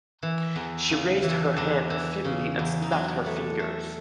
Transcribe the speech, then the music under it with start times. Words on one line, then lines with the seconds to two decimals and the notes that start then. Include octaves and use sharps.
She raised her hand feebly and snapped her fingers.
0.23 E3
0.56 E2
0.90 C#3
1.23 E3
1.57 E2 D4
1.90 E3
2.24 C#3
2.59 E2
2.82 D#4
2.92 F#3 D4
3.26 A3
3.59 A3